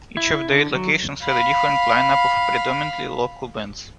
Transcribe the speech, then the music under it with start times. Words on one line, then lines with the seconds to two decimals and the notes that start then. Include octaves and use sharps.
Each of the eight locations had a different lineup of predominantly local bands.
0.17 E4
0.49 D3
0.74 F#3
1.23 F5 B5